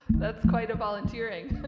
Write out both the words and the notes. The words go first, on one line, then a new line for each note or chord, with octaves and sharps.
that's quite a volunteering.
F3
D#3
F3
D#3
F3
D3